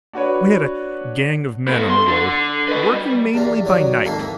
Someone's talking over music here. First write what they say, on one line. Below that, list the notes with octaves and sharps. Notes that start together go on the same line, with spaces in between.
We had a gang of men on the road, working mainly by night.
D4 F#4 B4 C#5
B3 A4
C6
D3
B4 D#5
G3
E2 G2 F4
D#3 F#3 D5
F2 G#2 D#3 A#3 A4 C6
E3